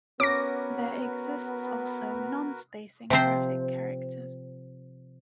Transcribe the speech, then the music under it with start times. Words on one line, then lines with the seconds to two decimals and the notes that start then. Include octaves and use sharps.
There exists also "non-spacing" graphic characters.
0.20 B3 C#4 F#4 A#4 B4 D6 A#6
3.10 C3 F3 C4 C5